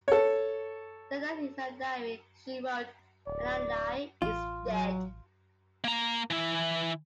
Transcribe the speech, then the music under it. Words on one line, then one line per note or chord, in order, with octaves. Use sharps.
That night in her diary, she wrote, Adlai is dead.
A4 C#5
D1 D5
A1 F4
F#3
A#3 A#5
E3 E4